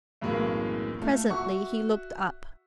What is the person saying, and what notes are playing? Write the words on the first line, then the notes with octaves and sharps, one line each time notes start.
Presently he looked up.
B1 F#2 A2 E3 G#3 A#3
A3 F4
F#4 E5 C#6